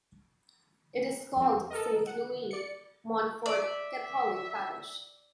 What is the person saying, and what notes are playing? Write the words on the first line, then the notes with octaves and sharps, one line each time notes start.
It is called Saint Louis Montfort Catholic parish.
F2 C4
A4 A#4 D#5
F#5
D5 C#7
D5 E5